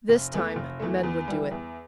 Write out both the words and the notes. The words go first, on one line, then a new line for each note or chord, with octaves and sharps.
This time, men would do it.
F1
E2 E3 A3
F1
E2 E3 A3
E2
E3 G3
E2